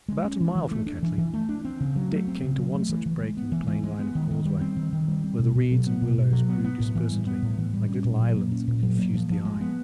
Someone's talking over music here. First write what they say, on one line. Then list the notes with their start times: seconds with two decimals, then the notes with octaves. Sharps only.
About a mile from Kettley, Dick came to one such break in the plain line of causeway, where the reeds and willows grew dispersedly like little islands and confused the eye.
0.08 G#3
0.24 C#4
0.40 E3
0.55 E3
0.71 A3
0.87 D4
1.03 E3
1.18 E3
1.34 A3
1.49 D4
1.65 C4
1.80 C#3
1.96 F#3
2.11 A3
2.27 C4
2.44 C#3
2.58 F#3
2.75 A3
2.89 E3
3.06 E3
3.21 G#3
3.37 B3
3.52 E3
3.68 E3
3.84 G#3
3.99 B3
4.15 D#3
4.31 D#3
4.45 G3
4.61 C4
4.77 D#3
4.93 D#3
5.08 G3
5.24 C4
5.39 B2
5.55 B2
5.71 F#3
5.87 B3
6.02 B2
6.18 B2
6.33 F#3
6.49 B3
6.64 B3
6.80 A2
6.95 E3
7.11 G3
7.27 B3
7.43 A2
7.58 E3
7.74 G3
7.89 C#4
8.05 A#2
8.20 F#3
8.36 A#3
8.52 C#4
8.68 A#2
8.83 F#3
8.99 A#3
9.14 F3
9.30 F3
9.45 G#3
9.61 B3